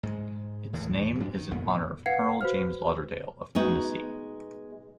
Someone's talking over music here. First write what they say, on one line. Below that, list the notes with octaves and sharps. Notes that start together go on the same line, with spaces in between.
Its name is in honor of Colonel James Lauderdale, of Tennessee.
G#2 G#3
D#2 A2 E3 G#3
D2 G2 F#3 D4
D#3
G#1 F2 A#2 B3
B4 F5 F#5 G#6 C7 C#7
F#4 B4 C5 F6
G#3 B3 D#4 F#4